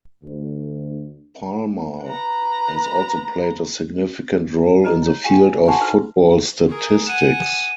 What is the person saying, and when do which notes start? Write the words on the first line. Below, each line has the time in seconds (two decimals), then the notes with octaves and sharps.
Palmer has also played a significant role in the field of football statistics.
0.23 D2
2.04 B4 A#5
4.84 C5 D#5 A#5
5.02 E4 C#5
5.24 F4 G4 G#4 F5 G5 G#5
5.68 F#4 F#5 G#5 A5 B5 C#6
5.81 D#4 F#4 A4 B4 C5 E5
6.68 G#4 A#4
7.07 F#5 G#5 D#7 E7